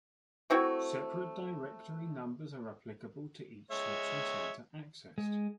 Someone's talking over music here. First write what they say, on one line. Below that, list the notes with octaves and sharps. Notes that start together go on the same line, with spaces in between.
Separate directory numbers are applicable to each switching center accessed.
A3 C4 E4 F#4
G#3 C#5 E5
G#3